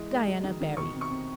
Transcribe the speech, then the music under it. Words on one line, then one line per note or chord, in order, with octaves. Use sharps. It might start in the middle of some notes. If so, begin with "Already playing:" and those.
Diana Barry.
Already playing: E3 G#3
G#3
F#3
D#3
D#3
B2 C#6
C4
C#6
C4